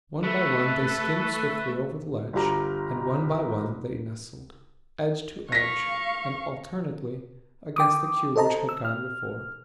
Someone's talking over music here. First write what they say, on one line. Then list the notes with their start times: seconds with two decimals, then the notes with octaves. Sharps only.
One by one they skimmed swiftly over the ledge; and one by one they nestled, edge to edge and alternately, against the cube which had gone before.
0.24 A3 A4 B4
2.33 G1 F4 G4 A#5
5.52 F5 C#6 A#6 B6
7.76 G5 D6 D#6
8.36 A4 C5 D#5 A5 A#5
8.69 E6
8.85 F6